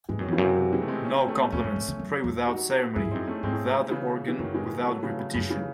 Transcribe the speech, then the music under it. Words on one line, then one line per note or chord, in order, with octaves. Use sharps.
No compliments, pray without ceremony, without the organ, without repetition.
G#2 E3 G#3
F#2 D#3 F#3
E2 C#3 E3
F#2
C3
C3
E3 G#3
A3
G#3 C4
C#4
C4
A3 C#4
E2 A3 C#4
F#2
G#2
C#3
F#2
E2
D#4 F#4
F#2 E4 G#4
G#2
F#2 C4 D#4
A3 C#4
G#2 G#3 C4
C#3 E3
E3
F#2 D#3 F#3
E3 G#3
F#3 A3
C#3 E3
C#3
F#2 C#3
C#3 E3